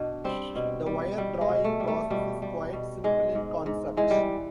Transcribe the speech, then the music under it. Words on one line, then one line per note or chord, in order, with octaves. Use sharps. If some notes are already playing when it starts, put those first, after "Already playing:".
The wire drawing process is quite simple in concept.
Already playing: B2 D4
G3 C4
B2
G3
B2 G3
G#3
B2
A3
G3
A3
B2 G3
G3
B2
G#2 G#3
G#2
G#2
E3 G#3
G3